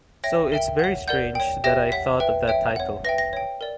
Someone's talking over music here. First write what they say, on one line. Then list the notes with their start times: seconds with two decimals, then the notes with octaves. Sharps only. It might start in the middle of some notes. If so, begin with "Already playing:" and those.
So it's very strange that I thought of that title.
0.24 C#5 E5 G5 A#6
0.52 A#4 E5 G5
0.79 C#5 F#5
1.08 A#4 D5 F#5 G6
1.35 C#5 G5
1.64 G4 C#5 E5 G5 A#6
1.92 C#5 F#5 B6
2.20 B4 E5 G5
2.48 C#5 E5 G5
2.76 C#5 F#5
3.04 B4 E5 G5 A#6
3.18 A#6
3.33 C#5 G5
3.61 A#4 D5